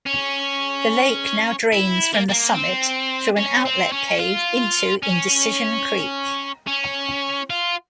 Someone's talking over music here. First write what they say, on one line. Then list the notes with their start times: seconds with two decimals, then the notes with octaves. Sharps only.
The lake now drains from the summit through an outlet cave into Indecision Creek.
0.06 C#4
1.72 E4
2.14 A#3
2.29 A#3
2.54 C4
3.36 C#4
3.65 C4
3.92 C#4
4.19 F4
5.03 C#4
6.67 C#4
7.50 F4